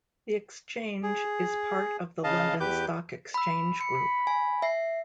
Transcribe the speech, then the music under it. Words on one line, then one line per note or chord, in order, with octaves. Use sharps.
The Exchange is part of the London Stock Exchange Group.
G#4
C#3 D#5 F5 A5
E2 G4 B4 D6 G6
B5 E6
B5 C#7
G#5
E5 C7